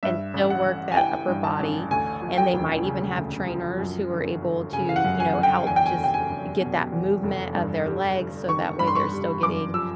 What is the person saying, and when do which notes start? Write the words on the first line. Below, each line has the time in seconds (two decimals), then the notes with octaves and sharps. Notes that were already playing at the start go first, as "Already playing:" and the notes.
and still work that upper body, and they might even have trainers who are able to, you know, help just get that movement of their legs so that way they're still getting,
0.03 G2 E5
0.34 A1
0.50 F#5
0.66 A1
0.92 G#5
0.97 E3 G5
1.28 G2
1.44 A5
1.59 A1
1.91 D2 G#5
2.22 F3
2.38 G5
2.53 E1
2.85 C#3
3.16 D2
3.47 F3
3.79 F#2
4.10 G1
4.42 G1
4.73 C#3 G#5
4.89 F5
4.96 F#5
5.04 F#2
5.20 G#5
5.35 G1
5.43 G5
5.67 E2 G#5
5.76 G5
5.86 G#5
5.98 F1
6.04 G5
6.14 G#5
6.29 F1
6.61 B2
6.92 E2
7.23 F1
7.55 G2
7.86 G3
8.17 G1
8.48 D#3 C#6
8.79 G2 B5
8.87 C6
8.95 C#6
9.11 G3
9.42 F#2 D6
9.74 F3 E6